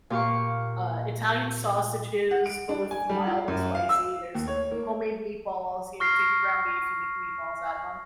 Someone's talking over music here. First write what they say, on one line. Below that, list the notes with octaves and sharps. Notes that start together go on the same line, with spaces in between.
uh, Italian sausages, both mild and spicy, there's homemade meatballs, y'know you take the ground beef, you make the meatballs out of 'em.
A#2 G4 F5 C#6
F#5
D7
D4
G#5
G3
F4
F#2
F5
E6
D#2
C#5
A#3
C#6 F6 A#6 C7